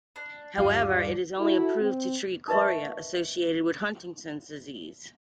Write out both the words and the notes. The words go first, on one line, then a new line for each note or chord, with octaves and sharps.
However, it is only approved to treat chorea associated with Huntington's disease.
D4
D#1 G2 D3 G3 D4 F5 D#7
E4 F#4 A4
C4
D#4 A#4 B4 D#5 E5 C#6